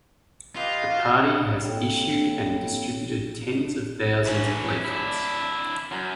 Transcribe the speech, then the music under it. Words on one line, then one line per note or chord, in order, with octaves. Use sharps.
The party has issued and distributed tens of thousands of leaflets.
F4 G4 B4 D#5
F#4 F5
A#3 C4 E4 A4 C#5 G5
E3 C#4
D4 E4
F#2